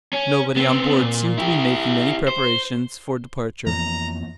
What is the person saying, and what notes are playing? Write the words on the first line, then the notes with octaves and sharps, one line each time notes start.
Nobody on board seemed to be making any preparations for departure.
C#4
B3 C4
A#2
E4 G4
C5
F2 E3 A#3 B3 A#5